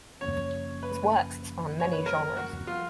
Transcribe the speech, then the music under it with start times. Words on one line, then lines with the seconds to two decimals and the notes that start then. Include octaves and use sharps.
His works span many genres.
0.21 F#2 C#3 F3 A#3 C#4 C#5
0.83 B4
1.80 C#5
1.93 B4
2.06 A#4
2.37 F#4
2.67 F3 B3 F4